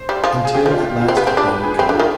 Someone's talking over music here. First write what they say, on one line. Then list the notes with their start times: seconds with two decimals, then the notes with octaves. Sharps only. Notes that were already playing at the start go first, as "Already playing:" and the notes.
Until at last a day would come....
Already playing: C5
0.09 G3
0.24 F3
0.45 G#4
0.55 G4
0.66 F3
0.71 F4
1.01 F4
1.08 C4
1.17 B3 G4
1.27 C4 G4
1.37 D4 G4
1.48 B4
1.63 G#4
1.78 C4 G4
1.89 D3 F4
1.99 D#3